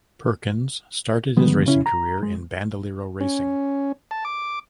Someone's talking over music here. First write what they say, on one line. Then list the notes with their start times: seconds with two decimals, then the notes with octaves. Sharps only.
Perkins started his racing career in Bandolero racing.
1.37 D3 D#3 F3 G3 G#3 B3
1.66 C#3 C#4 E4
1.86 A#5
2.22 G#3
3.21 C#4
4.11 A5
4.25 D6